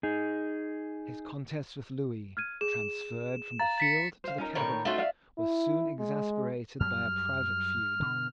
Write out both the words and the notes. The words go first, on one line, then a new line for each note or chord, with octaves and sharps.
His contest with Lewis, transferred from the field to the cabinet, was soon exasperated by a private feud.
D#4 G#4
F6 G#6 D#7
G#4 E7
F5 A#5 A6
A6 B6 C#7
C5 F5
C#4 D#4 A#4
A2 D#3 C#5
A3 C#4 D#4 F4 F#4
D5 E5 F5
E4
G#3
F#2 F#3 G3 F6
G2 B2 D3